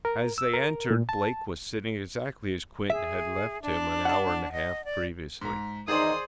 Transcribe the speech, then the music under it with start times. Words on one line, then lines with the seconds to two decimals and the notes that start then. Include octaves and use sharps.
As they entered Blake was sitting exactly as Quinton had left him an hour and a half previously.
0.05 A#4
0.38 E6
0.54 A#4
0.91 A#2
1.09 A5
2.90 G#4 E5
3.62 D4
4.05 F#5 A5
4.52 D#5
4.84 D5
5.42 G#2 A#5
5.88 E2 D#3 D#4 G#4 C5 D5 C6 D#6